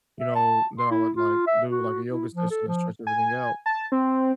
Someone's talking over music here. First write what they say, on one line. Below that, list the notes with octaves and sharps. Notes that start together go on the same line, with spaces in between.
you know, then I would, like, do, like, a yoga session to stretch everything out,
E5
A5
C6
E4
F4
E5
F#4
E4
F3
A4
F3
G#5
A5
C4